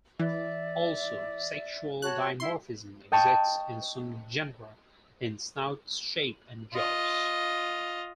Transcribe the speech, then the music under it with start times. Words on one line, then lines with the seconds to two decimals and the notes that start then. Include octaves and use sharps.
Also, sexual dimorphism exists in some genera in snout shape and jaws.
0.19 E3 D5 E5
2.02 F#4 C#5 A5 F#6
2.40 E4 C6
3.12 D#5 G5 A5 C#6
6.74 F4 D#5